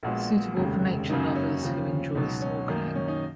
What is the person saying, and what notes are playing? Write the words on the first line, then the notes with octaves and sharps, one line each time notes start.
Suitable for nature lovers who enjoy snorkeling.
A#1 A#2 G#3 B3 F#4
F1 D#2 C#3 G#3
F#2 C#3 F#3 A#3 D#4
C#4
D#2 C#3 F3
C#2 B2 F#3 D#4
C#4
F#2 D#3 A#3 D#4
C#4
D#4